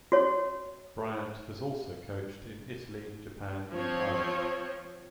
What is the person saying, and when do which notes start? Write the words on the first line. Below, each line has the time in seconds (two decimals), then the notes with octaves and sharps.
Bryant has also coached in Italy, Japan and Thailand.
0.12 F#4 C#5
3.71 F3 C4 C#5